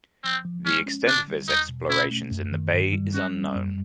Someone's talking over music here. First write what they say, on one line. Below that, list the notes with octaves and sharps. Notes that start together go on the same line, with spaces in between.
The extent of his explorations in the bay is unknown.
F3 C4
F3
G#3 C#4
C#4
D3 D4
G3
E2 D#4
B2
C#4 E4
A3
F#2
D#3
G2
G3
C#4 F#4
G3
F#2